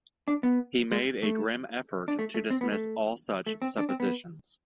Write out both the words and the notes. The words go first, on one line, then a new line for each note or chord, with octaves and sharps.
He made a grim effort to dismiss all such suppositions.
D4
B3
G#3
A3
D4
A3
A3
C4
B3
A3
A3
C4
D4
C4
B3